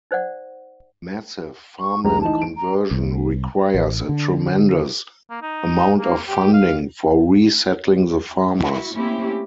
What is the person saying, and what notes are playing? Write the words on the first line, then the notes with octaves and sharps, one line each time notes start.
Massive farmland conversion requires a tremendous amount of funding for resettling the farmers.
D#4 C5 D5 F#5
C#6
F1 C#2 G#3 A#5
E3 D#4 A5
D7
A#5
C2
A1
D3
A#3
D#4
A#3
G4
F5
E4 F#4
A3 A#3 C4 C#4 E4 G4